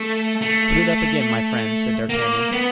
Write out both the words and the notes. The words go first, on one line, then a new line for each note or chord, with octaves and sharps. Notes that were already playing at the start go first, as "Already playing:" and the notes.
"Put it up again, my friend," said D'Artagnan.
Already playing: A3
A3
A#3
B3